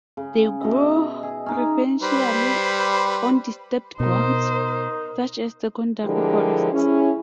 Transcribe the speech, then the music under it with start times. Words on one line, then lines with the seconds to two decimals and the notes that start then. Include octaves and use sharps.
They grow preferentially on disturbed grounds, such as secondary forests.
0.17 C#3
0.60 B2 D#5 E5
1.23 G#4
1.46 C#4 D#4
2.02 G3 B4 C5
4.00 B2 D#4 A#4 C5
6.04 D3 F3 G#3 E4 G4 A#4
6.73 C#4 E4 G#4